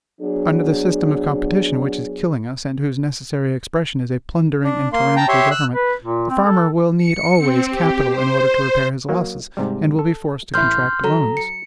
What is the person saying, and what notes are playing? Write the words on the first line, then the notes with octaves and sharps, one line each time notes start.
Under the system of competition which is killing us, and whose necessary expression is a plundering and tyrannical government, the farmer will need always capital in order to repair his losses, and will be forced to contract loans.
F#3 B3 D4 G#4
D4
A#3 C6
G5 A5 A#5
G4 C#5 E5 C6
E6 F#6
B4
A#2
C4
A4
C#7
C4
G4
C5
F#3 A#3
G#2 C3 G3
A4
A1 E4 C6 F6 G6
F#3 A4 A#5
C#7